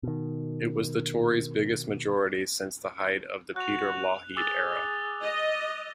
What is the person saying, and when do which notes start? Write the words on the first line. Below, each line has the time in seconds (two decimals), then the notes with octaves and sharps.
It was the Tories' biggest majority since the height of the Peter Lougheed era.
0.03 B2 D#3
3.56 F#4 F#6 F7
4.37 G#4 D6 E6 A6
5.22 D#5